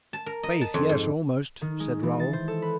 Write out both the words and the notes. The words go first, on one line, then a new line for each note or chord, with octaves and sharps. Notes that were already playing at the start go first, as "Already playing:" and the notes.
"Faith, yes, almost," said Raoul.
A5
A#4
D#5
A5
F2
G#2
D#3
G#3
E3
A6
C5
A4
B4